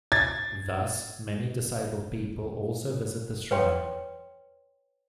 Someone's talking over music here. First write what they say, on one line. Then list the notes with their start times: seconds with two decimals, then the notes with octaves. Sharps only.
Thus many disabled people also visit the shrine.
0.12 G#6 A6
3.51 B4 C#5 G5 C6